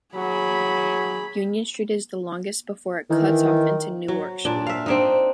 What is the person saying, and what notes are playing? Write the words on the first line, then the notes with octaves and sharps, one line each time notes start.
Union Street is the longest before it cuts off into Newark Street.
F#3 G#4 B5
D#3 E3
F#3
A#2 D4
E5 F5
C4 D4 D#4